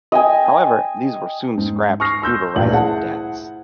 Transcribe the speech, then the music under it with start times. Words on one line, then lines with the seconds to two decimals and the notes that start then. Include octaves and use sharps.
However, these were soon scrapped due to rising debts.
0.12 D#5 G5 G#5
1.57 G#2
2.00 C#6 D#6 F6 A#6 C7
2.22 C6 E6 G6
2.56 D1 G1 A#2 E3 F#7
2.71 E4 G#4 C5 F#5 A5